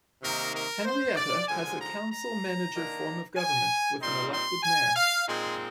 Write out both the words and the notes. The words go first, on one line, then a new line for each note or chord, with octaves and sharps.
Henryetta has a council-manager form of government with an elected mayor.
C3 D#3 A#3 D#4 A#4
A#4
C5
D5
D3 F3 G#3 G#5
A#5
A#5
D#3 A#3 D4
G#5
A#2 G3 C4 D#4 C6
C6
G#5
F5
A#2 G#3 C4 D#4 G#4